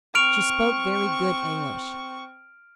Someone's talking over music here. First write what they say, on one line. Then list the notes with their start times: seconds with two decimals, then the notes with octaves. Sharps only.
She spoke very good English.
0.15 C4 C#6 F6 D7 F7